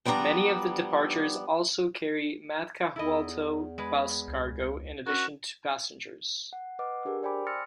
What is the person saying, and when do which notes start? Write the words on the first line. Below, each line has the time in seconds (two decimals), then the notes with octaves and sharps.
Many of the departures also carry Matkahuolto bus cargo in addition to passengers.
0.05 F3 G3 B3 D4 A#5
2.96 E2 E4 A4 D#5
3.78 G#3 B4
4.28 C#2
5.06 C#4 F#4 A#4
6.53 F#5
6.79 B4 D#5 F#5 D6
7.05 D4 G4 G#4 A#4
7.23 C5 D5 G5 G#5 B5 D6
7.47 C6 E6 F6 A6 A#6 C#7